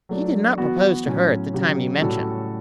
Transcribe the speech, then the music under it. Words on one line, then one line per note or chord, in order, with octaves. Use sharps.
He did not propose to her at the time you mention.
F#3 A3 D4
E3 B3 F#4
A2 F#3 C#4
C#3 F#3 C#4 G4
A2 G3 C#4 F#4 A4